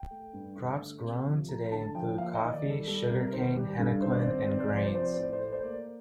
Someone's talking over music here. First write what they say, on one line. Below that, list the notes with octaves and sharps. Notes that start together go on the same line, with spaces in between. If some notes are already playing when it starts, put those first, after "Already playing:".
Crops grown today include coffee, sugarcane, henequen, and grains.
Already playing: G5
A3
G2
D3
A3
C3
F3
A3 A#5
D3 A5
F3 G5
A#3 F5
D#5
D#3
D5
G3
A4
G3 A4
C3 A#4
A#4
D#3 C5
G3 G4
G2 A4
D#3 C5
D5
C5
C4 D5
C5
C3 D5
C5
F3 D5
C5
D5
C4 C5
D5
A2 C5
D5
C5
A3 D5
C5
A#3 D5